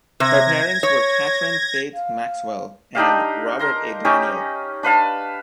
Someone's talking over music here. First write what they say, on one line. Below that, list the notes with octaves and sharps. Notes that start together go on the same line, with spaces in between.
Her parents were Catherine Faith Maxwell and Robert A. Daniel.
C3 G#6 A#6
C#5
F5
D4 D#4 G4 F5
A#4 A#5 C6
C#4 D#4 G4 C#5
D4 B4 F5 A5